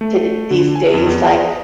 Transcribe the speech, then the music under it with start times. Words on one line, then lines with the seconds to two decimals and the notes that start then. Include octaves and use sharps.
to d these days? Like,
0.01 A3
0.51 D3
0.75 G#5
0.94 F2
1.06 E2
1.25 G#4